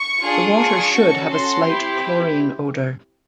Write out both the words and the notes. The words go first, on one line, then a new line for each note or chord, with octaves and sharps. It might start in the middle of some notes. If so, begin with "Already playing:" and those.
The water should have a slight chlorine odor.
Already playing: C#6
D4 F4 G#4
C#6
C#4 F#4 A4
C6
C4 E4 G4